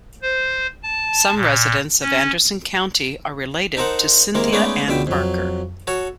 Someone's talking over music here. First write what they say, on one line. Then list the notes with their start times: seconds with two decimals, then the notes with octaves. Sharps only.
Some residents of Anderson County are related to Cynthia Ann Parker.
0.22 C5
0.83 A5
1.34 A#2
2.01 C#4
3.77 D#4 A4 A#4 C5 F#5
4.35 C3 D#3 G#3 A#3 A#4
4.52 G#3 A3 B3 C#4 D#4 D5
4.88 C#2 B2 D3 E5 G5
5.07 F2 F#3
5.87 F#4 A4 C#5 C#6